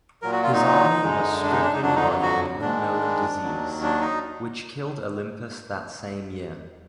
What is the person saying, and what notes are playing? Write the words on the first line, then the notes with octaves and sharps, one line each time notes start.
His army was stricken by an unknown disease, which killed Olympius that same year.
A#2 F#3 A#4
F#4
F4
D#4
F#2 D3 G#3
D4
D#4
D4
D#4
F2 D3 F#3 D4
D#4
F#4
G#2 D#3 G#3 D4
D#2 D#3 F#3
D4
D#4